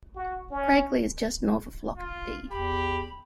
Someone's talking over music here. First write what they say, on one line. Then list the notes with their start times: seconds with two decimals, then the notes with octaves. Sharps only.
Craiglee is just north of Loch Dee.
0.16 F#4
0.51 C#4
1.97 F4
2.51 E2 G4 B5